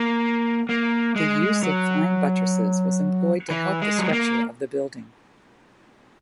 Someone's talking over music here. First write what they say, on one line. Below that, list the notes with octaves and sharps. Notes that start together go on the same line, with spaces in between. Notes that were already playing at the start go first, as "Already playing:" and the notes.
The use of flying buttresses was employed to help the structure of the building.
Already playing: A#3
A#3
G#3
F#3
E3
G#3
F#3
G#3
A#3